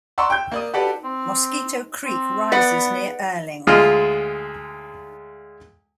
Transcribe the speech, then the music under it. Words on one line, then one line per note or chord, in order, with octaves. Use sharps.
Mosquito Creek rises near Earling.
D5 F#5 A#5 C6 C#6 E6
G5 G6
A#3 D5 D#6
F#4 G4 A4 B4 D5
C4
C4
B3 B4 D5 F#5
D2 G#3 F4 D#5 F6